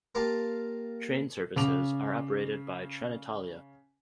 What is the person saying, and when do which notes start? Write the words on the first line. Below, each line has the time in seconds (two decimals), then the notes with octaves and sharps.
Train services are operated by Trenitalia.
0.15 A#3 F4 G4 A5
1.56 C#3 D6 F7